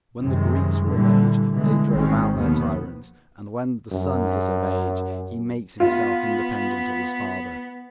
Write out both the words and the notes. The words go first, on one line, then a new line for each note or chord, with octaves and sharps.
When the Greeks were of age, they drove out their tyrants, and, when the son is of age, he makes himself independent of his father.
F#2 C3 D#3 G#3
A#2 D3 E3 G3
B2 D3 E3 G#3
G#1 D#3 G#3 C4 C#4
D#2 B2 D#3 F3 B3
F#2
B3 F4